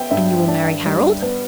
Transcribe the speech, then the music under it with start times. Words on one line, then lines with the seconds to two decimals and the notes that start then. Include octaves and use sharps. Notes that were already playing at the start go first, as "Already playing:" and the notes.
'And you will marry Harold?'
Already playing: B3 E5 G5
0.11 G2 E5
0.48 D4
0.86 G3
1.22 B3